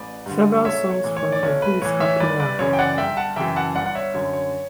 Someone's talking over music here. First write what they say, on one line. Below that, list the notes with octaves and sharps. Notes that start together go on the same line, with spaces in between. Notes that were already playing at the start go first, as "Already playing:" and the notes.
Several songs from the Who's Happy Now?
Already playing: A1 B4 D5
G2 D3
B1 C#5 E5
C#5
A2 E3
C#5
D5
B1 C#5
B4
A2 E3 C#5
C#5 E5
G1 B4 D5
B4 D5
F#2 C#3 E3 C#5
G5
D5 F#5
G1 E5 G5
F#5 A5
F#2 C#3 E3 E5 G5
F#5 A5
G1 D5 F#5
F#5
C#5 E5
F#2 D3 C#5
C#5